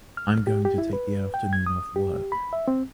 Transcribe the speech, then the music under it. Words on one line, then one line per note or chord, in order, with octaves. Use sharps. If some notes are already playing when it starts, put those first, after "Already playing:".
I’m going to take the afternoon off work.
F6
G4
G4
E4
B4
G5
G#6
D#6
G4
B5
E5
C4